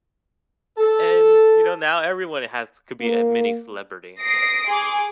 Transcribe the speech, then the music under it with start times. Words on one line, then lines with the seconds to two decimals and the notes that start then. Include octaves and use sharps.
and, you know, now everyone has could be a mini celebrity, I guess.
0.78 A4
3.01 A#3
4.18 D#6 A#6 C7 D7
4.67 G#4 C6 D6